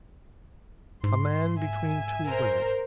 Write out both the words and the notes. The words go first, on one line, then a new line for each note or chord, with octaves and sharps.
A man between two women.
G#2 C6
E5 G#5
A#4 C5